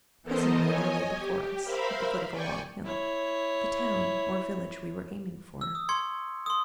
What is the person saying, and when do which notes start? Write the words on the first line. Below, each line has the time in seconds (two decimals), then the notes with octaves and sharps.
Presently there lay before us at the foot of a long hill the town or village we were aiming for.
0.23 E3 B3 A4 A#4 C5 D#5
0.62 C#5 D#5 G#5
1.15 G4
1.64 A#4 C5 E5 F5 B5
2.31 D5 G5 G#5 C#6
2.84 E4 C#5
5.61 E6
5.75 D#6
5.89 C6 C#6 G#6 C#7
6.46 C6 D#6